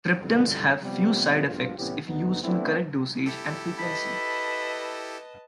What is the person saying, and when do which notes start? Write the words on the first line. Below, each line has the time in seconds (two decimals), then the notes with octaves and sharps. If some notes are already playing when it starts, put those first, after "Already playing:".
Triptans have few side effects if used in correct dosage and frequency.
0.19 C2 F2 B2 D3 G3
0.81 C3 F3 G3 B3
1.45 A#1 G2 B2 F4
1.77 C2 A2 E3 B3 C#4 G4
2.07 D2 B3 D#4
2.43 A3 B3 C4 D4 E4
3.26 E4 G4 A4
3.79 B4 D#5 A5 B5